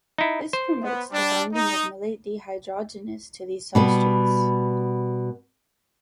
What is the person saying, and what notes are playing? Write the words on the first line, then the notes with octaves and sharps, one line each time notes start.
This promotes the binding of malate dehydrogenase to these substrates.
D#4 E4
C5
B3
G3 D4
D#4
B2 G3 B3